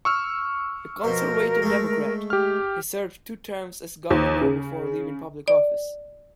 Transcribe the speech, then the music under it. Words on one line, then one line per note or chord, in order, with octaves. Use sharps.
A conservative Democrat, he served two terms as governor before leaving public office.
C#6 E6 F6
B2 F3 A#4
G#3 A3
G4 F6
D#2
C#3
D5